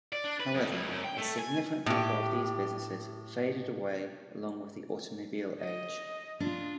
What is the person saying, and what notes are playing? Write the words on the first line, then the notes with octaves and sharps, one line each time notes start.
However, a significant number of these businesses faded away along with the automobile age.
D5
D4
B4
F2
C#2
F#2
G5
A3
G#5
A2 G4
D#5
D4 F4